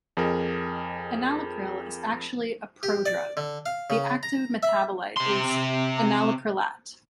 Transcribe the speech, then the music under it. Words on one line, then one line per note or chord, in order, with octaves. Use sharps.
Enalapril is actually a prodrug; the active metabolite is enalaprilat.
F2 G#4 A#4
G4
D5
D3
F5
C#3
A#5
E5
C3 C6